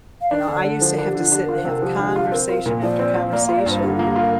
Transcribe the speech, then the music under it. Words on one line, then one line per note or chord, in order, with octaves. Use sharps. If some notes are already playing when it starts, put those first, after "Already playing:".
You know, I used to have to sit and have conversation after conversation
F5
D4 D5
D3
D3
F3 C5
A#4
D4
G4
D3 F4
D4 G4
A#4
F4
C5
C3 A#4
F3 G4
D4
G4
F4
C4 A#4
F4
A#2
F3 D5
C4
F4
A#3 D5
F4 F5
D5
G2 C5
D3 G4
A#3 F4
G4
F4 A#4